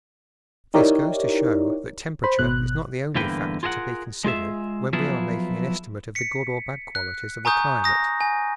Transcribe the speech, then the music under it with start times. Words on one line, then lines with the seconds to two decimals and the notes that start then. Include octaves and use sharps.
This goes to show that temperature is not the only factor to be considered when we are making an estimate of the good or bad qualities of a climate.
0.74 D#4 E4 G4 A#4 C#5 D5
2.24 C5 B5
2.39 G#1 B2 F#6
3.15 E2 G2 D3 A#3 B4 G5
3.63 F4 G#4 A#4 E5 F#5
4.24 G#3 F4 G#4 E5
4.93 F3 F#3 B3 E4 F4 G#4
6.15 B6 C#7
6.95 F#6
7.45 G#5 A#5 C#6 D#6 G6
7.84 D#6 A#6
8.21 G#5